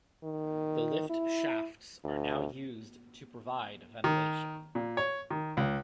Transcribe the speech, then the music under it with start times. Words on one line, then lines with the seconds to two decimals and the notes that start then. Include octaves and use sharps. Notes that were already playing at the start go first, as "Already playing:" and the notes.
The lift shafts are now used to provide ventilation.
0.23 D#3
1.10 E4
2.04 D2
4.04 D#3
4.75 A#2
4.97 C#5
5.30 D#3
5.57 C#2